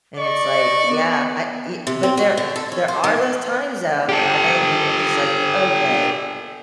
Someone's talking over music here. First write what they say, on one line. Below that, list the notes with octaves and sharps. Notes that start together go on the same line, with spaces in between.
and it's like, "Yeah, I e" but there there are those times, though, right, when you're just like, "Okay,"
D5 D#5 C#6
D#5
B3
C3
C4
F#4
D3
A4
C#4
C5
D#3
G4 A4